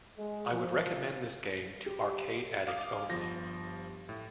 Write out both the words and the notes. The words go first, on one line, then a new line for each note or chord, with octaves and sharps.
I would recommend this game to arcade addicts only.
G#3
F3
G4
F5 D6 D#6
G1 F3 A#6
A2